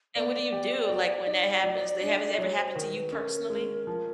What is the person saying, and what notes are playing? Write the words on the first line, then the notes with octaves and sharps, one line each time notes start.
And what do you do, like, when that happens they has it ever happened to you personally?
B3 D5
G4
F#3
D#4
F#3
D4
F#3 C#5
C5
D#3 A#4
B4
C#4 A#4
G#3
F3